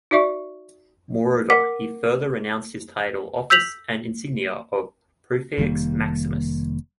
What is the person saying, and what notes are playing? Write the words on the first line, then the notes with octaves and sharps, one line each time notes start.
Moreover, he further renounced the title, office, and insignia of the "Pontifex Maximus".
D#4 F#4 D5 E5 C#6
A#4 F#5 D6 B6
E6 G6 B6 F7 F#7
F1 D#3 G3 A#3